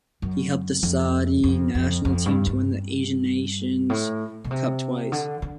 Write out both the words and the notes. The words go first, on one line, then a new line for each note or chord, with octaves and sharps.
He helped the Saudi national team to win the Asian nations cup twice.
F#2
F2
F2
F2
F2
G2
G2
A2
B2
C3
D3
D3